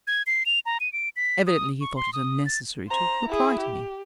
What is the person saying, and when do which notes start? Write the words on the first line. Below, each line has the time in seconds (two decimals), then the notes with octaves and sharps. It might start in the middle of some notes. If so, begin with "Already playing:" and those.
Evidently he thought it unnecessary to reply to me.
0.07 G#6
0.27 C7
0.46 F7
0.66 A#5
0.80 D#7
0.93 D7
1.16 B6
1.47 D#6
1.81 C#6
1.96 C6
2.13 D#6
2.46 A6
2.88 C5 A#5
3.28 E4 G#4
3.60 G4